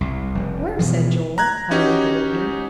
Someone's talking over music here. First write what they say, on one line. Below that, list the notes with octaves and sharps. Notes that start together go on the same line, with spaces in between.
"Where?" said Joel, utterly bewildered.
C2
F1
B2 E3 F3
A#5 F#6 G#6
C#4 D#4 F#4 G4